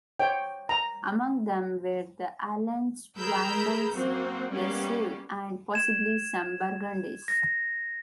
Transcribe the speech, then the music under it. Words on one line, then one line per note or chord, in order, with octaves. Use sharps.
Among them were the Alans, Vandals, the Suevi, and possibly some Burgundians.
C#5 G5
A#5
G#4 A#4 A#5 B5 E6 G6
F#2 A#3 C4 F#4
G3 A#3 B3 C#4 G4
G#6 E7
A#6